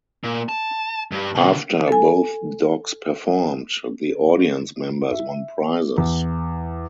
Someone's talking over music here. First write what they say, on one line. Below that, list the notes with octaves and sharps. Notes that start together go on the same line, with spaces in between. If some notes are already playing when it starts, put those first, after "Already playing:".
After both dogs performed, the audience members won prizes.
A#2
A5
G2 G3
B2 D3
A4 G#5
E5
E2